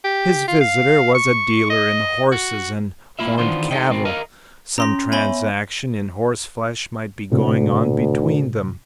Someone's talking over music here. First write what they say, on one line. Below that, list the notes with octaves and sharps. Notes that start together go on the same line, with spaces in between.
His visitor was a dealer in horses and horned cattle. Some transaction in horseflesh might be going on between them.
G4
F4
F5
C#6
D#5
F#4
A2 A#3 E4 F4 E5
D#3 E3 B3 D4 F4 C5
D#4 G4 A4 D#5 G5
G#2 B2 D#3 C4
A#4 D#5 F5
C#4 A#5 C6 A#6
B3 C#5 E5 G#5 B5 G7
D2 A2 C3